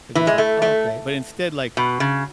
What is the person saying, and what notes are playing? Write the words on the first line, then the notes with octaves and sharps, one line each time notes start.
They're just, like, "Oh, okay." But instead, like
E3
G#3
A3
A3
B2
C#3